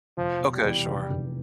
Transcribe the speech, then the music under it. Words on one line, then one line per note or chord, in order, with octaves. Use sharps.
Okay, sure.
F1 F3
B2
G3
E2
F1
F1